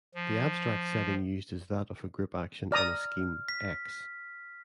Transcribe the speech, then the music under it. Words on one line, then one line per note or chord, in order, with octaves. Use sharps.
The abstract setting used is that of a group action on a scheme "X".
F3
D5 A#5 D#6 F6
B6